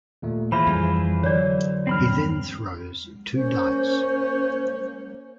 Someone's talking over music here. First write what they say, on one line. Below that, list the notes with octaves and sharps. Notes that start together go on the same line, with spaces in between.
He then throws two dice.
D#2 A#2 A3
E3 F4 G#4 C5 E5 F5 B5
F2 F3 G3
D3 F#3 C#5 D5
E2 G2 C4 B5 F6
A#3 C#4 C5